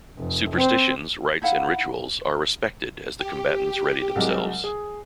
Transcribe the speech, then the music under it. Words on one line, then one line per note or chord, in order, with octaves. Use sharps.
Superstitions, rites and rituals are respected as the combatants ready themselves.
F1
C4
D#4 E4 F5 F#5
G4
C2 F#3 G#3
G#4